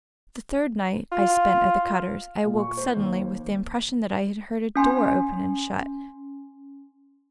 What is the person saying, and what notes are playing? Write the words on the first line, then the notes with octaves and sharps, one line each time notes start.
The third night I spent at the Cutters', I awoke suddenly with the impression that I had heard a door open and shut.
F4
A#2
C#6
C5
D#2
C#4 G#5 C6